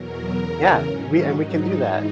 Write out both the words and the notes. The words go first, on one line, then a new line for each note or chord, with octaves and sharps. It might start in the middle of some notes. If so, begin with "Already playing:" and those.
Yeah, we and we can do that.
Already playing: E2 B2 F#3 A#4
E2 C#3 E3
G#2 D#3 F#3 C#4
G#2 F#3 D#4
G#2 E3